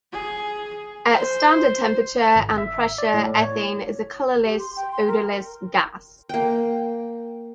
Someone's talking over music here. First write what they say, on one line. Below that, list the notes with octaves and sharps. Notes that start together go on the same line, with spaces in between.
At standard temperature and pressure, ethane is a colorless, odorless gas.
G#4
C5
G#1
E5
D5
A2
C#5
G4
C6
G5
C6
A#4
A#3 G5